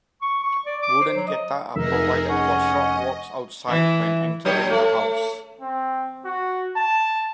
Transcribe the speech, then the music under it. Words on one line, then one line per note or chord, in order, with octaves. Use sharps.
Wooden "geta" are provided for short walks outside when entering the house.
C#6
C#6
D5
D6
C5
F#3
D#5
F1 D#4 G#4 A#4 E5
C#4 D#5 F#5
E3
F#3 D4 C#5
A3
C4
F#4
A5